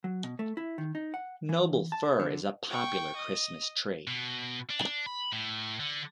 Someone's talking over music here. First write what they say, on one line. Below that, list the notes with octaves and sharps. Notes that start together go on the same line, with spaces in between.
Noble fir is a popular Christmas tree.
F#3
B2
A3
E4
D#3
D#4
F#5
E3
A5
D3
G5 C#6
D#5
B2
D4
B5
A2
D3